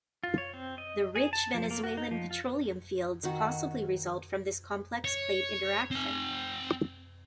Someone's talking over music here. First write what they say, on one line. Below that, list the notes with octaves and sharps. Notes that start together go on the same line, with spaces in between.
The rich Venezuelan petroleum fields possibly result from this complex plate interaction.
F4
C#5
C4
D#5
G#4
A5
F3
A#3
F#4
D#4
F3
F4
D#3 F#4
C#5
C4 G#5